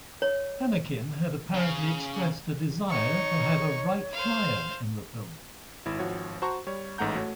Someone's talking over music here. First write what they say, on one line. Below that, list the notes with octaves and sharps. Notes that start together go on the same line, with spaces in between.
Annakin had apparently expressed a desire to have a Wright Flyer in the film.
C#5
C#3
D#4 C#5 C#6
C5 F5
G#1 E4
G#1 F3 F#4 C#5
F#4 C5 A5 A#5 C#6
G3 C#5
A1 G#2 A3 F#5 A#5 G6
A3 F#4 C#5